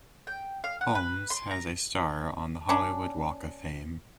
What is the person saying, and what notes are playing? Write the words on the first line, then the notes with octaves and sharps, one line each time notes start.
Holmes has a star on the Hollywood Walk of Fame.
G5
F5
F#5
B4
C6
A#5
C#4 D4